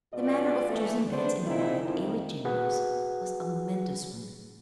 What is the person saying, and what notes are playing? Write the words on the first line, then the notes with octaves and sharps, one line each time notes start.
The matter of choosing beds in the wide, airy chambers was a momentous one.
B2 G#3 F4 D5
E3 A3
B3 C4 D4 G#4 C5
A#2 C4 D#4 E4 G#4
F2 D#3
F#4 G#4 B4 F#5